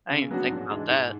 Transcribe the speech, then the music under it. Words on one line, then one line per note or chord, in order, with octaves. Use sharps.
I didn't think about that.
C#3
F#3 B3 D4 F#4
G#2
E3 G#3 D4
G#2